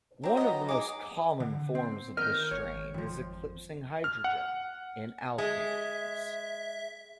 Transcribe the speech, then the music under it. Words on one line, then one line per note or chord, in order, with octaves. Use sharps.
One of the most common forms of this strain is eclipsing hydrogen, in Alkanes.
F#3 C4 D4 A#5
B3 D#5
G#3 D#4 G#4 D6
D3
C4
D#2 A#4 D#5 F6 G6
G#1 C#5
F2 F3
F6
F#5
G#3 E5